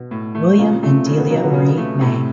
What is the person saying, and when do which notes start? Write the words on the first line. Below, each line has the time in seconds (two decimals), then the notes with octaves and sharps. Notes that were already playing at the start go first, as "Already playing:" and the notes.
William and Delia Marie May.
Already playing: B2 B3
0.11 A2
0.35 A3
0.58 A#2 C#3 A#3
0.82 C3 A3 C4
1.05 C#3 C4
1.18 B3
1.30 F#3 A#3
1.43 B2 B3
1.54 C#3
1.77 A3
2.01 A2 C3 C4